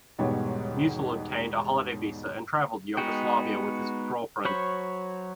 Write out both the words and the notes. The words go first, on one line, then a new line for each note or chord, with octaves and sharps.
Musil obtained a holiday visa and travelled to Yugoslavia with his girlfriend.
E1 G#2 B2 G3 C#5
G#3 B3 D#4 F#4 G5
F#3 C5 C#5 B5 C#6